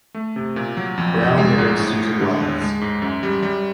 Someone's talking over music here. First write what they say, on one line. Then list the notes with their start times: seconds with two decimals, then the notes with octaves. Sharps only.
Brown married Susan Wells.
0.14 A3
0.36 C3
0.56 A#2
0.77 F#3
0.98 F2
1.17 G1
1.38 G#3
1.58 G#2
1.79 A2
1.99 G#3
2.20 D3
2.41 D#2
2.61 G#3
2.81 G#2
3.02 F#2
3.23 G3
3.43 G3